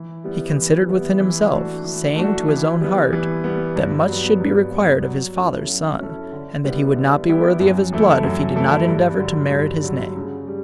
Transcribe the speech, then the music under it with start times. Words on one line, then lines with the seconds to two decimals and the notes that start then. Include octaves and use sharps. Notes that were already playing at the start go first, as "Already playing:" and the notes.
He considered within himself, saying to his own heart, that much should be required of his father's son, and that he would not be worthy of his blood if he did not endeavour to merit his name.
Already playing: E3
0.24 G3 B3 E4
0.56 E3
0.88 G3 B3 E4
1.20 E3
1.52 A3 D4 F#4
1.84 E3
2.16 A3 D4 F#4
2.48 E3
2.81 G3 B3
3.13 E3
3.44 G3 B3
3.76 G2
4.08 F#3 B3
4.40 G2
4.72 F#3 B3
5.05 F#3
5.36 C#4 E4 A4
5.67 F#3
6.00 C#4 E4 A4
6.33 D3
6.64 G3 B3 E4 G4
6.96 D3
7.27 G3 B3 E4 G4
7.60 F#2
7.92 E3 A3 E4 A4
8.24 F#2
8.56 E3 A3 E4 A4
8.88 G2
9.19 D3 F#3
9.51 G2
9.84 D3 F#3
10.16 C#3
10.47 G3